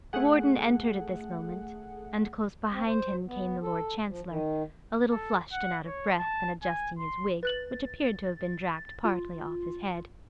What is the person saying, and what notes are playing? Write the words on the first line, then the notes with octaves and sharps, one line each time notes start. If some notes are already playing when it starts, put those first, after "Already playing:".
The Warden entered at this moment: and close behind him came the Lord Chancellor, a little flushed and out of breath, and adjusting his wig, which appeared to have been dragged partly off his head.
A3 G#4 F#5
C4
C5
B3
A4
F3
D#3
A4
F#5
C#5
A5
G#5
C6
B4 F#6 A6 F#7
F4